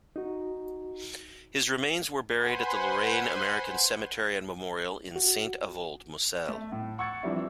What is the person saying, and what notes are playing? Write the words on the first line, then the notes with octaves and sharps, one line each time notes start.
His remains were buried at the Lorraine American Cemetery and Memorial in Saint-Avold, Moselle.
D#4 F#4
B4 C5 F#5 G#5 B5 C6
F#4
A3
A2
F#5 C#6 E6 G#6 A6 C#7
E3 F3 G3 C4 D4 E4